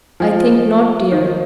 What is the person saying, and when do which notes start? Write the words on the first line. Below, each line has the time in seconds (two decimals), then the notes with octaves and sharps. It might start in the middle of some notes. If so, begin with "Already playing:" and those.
'I think not, dear.
0.20 F3
1.12 D#3